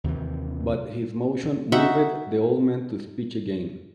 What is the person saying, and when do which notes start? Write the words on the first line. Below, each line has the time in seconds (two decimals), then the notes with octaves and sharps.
But his motion moved the old man to speech again.
0.04 D#2 C3 D#3 E3
1.72 D#4 F#4 E5 F#5